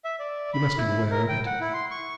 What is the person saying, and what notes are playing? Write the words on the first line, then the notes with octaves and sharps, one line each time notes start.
You must be aware of it.
E5
D5
B5
E4
A#4
G5
F#5
E4
C6
C#6